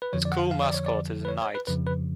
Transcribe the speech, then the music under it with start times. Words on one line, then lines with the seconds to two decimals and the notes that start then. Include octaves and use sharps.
The school mascot is a Knight.
0.02 B4
0.13 F2 D3 F3 C#5
0.25 D5
0.32 F#5
0.38 F5
0.51 F5
0.63 D5
0.74 C#5
0.86 D5
1.25 B4
1.28 C#5
1.42 C#5
1.55 B4
1.67 F2 C#3 F3 B4
1.87 B4